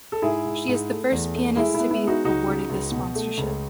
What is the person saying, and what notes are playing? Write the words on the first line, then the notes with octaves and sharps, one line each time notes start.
She is the first pianist to be awarded this sponsorship.
A4
G#2 E4 G#4
G#2
G#2
A3
E2
A3
G#3 E4 G#4
B3 E4
E4
G#3 D#4 F#4
C#2 D#4 F#4
C#3
C#2
B2
A3
C#2